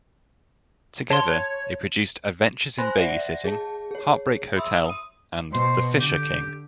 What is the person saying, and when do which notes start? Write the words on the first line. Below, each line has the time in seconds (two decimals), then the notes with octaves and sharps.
Together, they produced "Adventures in Babysitting", "Heartbreak Hotel", and "The Fisher King".
1.10 C#5 A5 C6
2.79 C5 G#5 B5 C6 F#6 A#6
2.98 D5 E5 F#5 A#6
3.44 G#4 A5
3.91 G#4 C#5
4.56 E5 B5 C6 D#6 E6
4.86 D#6 D#7
5.53 B2 C5
6.00 D3 G4